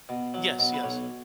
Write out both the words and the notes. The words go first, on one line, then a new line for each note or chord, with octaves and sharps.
Yes. Yes.
B2
F#3
B2
B4
B1 C#5